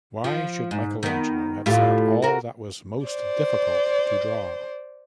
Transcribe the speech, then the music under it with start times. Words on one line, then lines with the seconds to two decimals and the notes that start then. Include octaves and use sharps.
Why should Michelangelo have sought all that was most difficult to draw?
0.24 F3
0.71 G#2
1.03 D#3 B3
1.66 A2 F4 G4
2.22 F#4 A#4
3.06 C5 D5